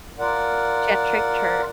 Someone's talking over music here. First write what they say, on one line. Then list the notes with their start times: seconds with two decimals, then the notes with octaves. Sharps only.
She had tricked her
0.19 F4 A#4 D5 F#5